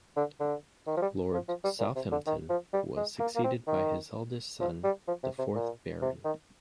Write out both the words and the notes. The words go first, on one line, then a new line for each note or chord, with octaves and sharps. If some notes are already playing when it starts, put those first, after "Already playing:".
Lord Southampton was succeeded by his eldest son, the fourth Baron.
D3
D3
D#3
F3
G3
F3
F3
G3
A#2
C3
D3
D#3
F3
G3
G#3
A#3
A#3
C4
D#3
F3
G3
F3
C3
C3
A#2
C3
D#3